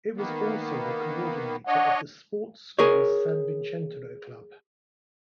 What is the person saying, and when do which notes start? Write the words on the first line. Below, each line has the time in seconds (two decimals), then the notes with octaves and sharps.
It was also the Coordinator of the sports schools sanvicentero club.
0.17 D#3 A#3 B3
1.67 D4 C#5 D#5 F#5
2.79 G#4 A#4 C#5